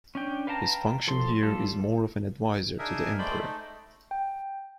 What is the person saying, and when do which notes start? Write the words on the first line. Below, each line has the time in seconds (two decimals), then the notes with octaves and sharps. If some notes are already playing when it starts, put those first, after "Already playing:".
His function here is more of an advisor to the Emperor.
0.15 C#4 D4 G5
0.47 B4 F5 G5 A5 A#5
1.07 F3 A4 C6
1.42 G3 F4 A4
2.79 D4 D#4 G#4 A#4 E5
3.19 G#3 A3 C5 D5 G5 B5
3.39 A3 D#4
4.11 G5